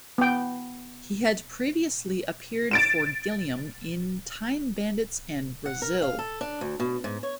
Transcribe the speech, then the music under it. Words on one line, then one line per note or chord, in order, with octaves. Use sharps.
He had previously appeared for Gilliam in "Time Bandits" and "Brazil".
B3 G5
A6 D7 E7
F#5
A#4
F5
A4
D4
D2
B2
G#2
C#5